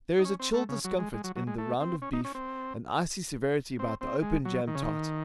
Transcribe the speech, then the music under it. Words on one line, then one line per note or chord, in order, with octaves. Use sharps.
There is a chill discomfort in the round of beef, an icy severity about the open jam tart.
D#4
C#4
C4
A3
C#3
F#3
G#3
G#3
F#3
F#3
G#3
A3
C4
C#4
D#4
C#4
C4
C4
C4
G#3
F#3
D#3
C#3
D#3